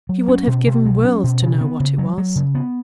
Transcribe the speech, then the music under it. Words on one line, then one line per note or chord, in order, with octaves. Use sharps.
She would have given worlds to know what it was.
F#3
C#4
B2
B2
F#3
C#4
B2
C#3
B3
C#3
F#3
F#3
C#3
B3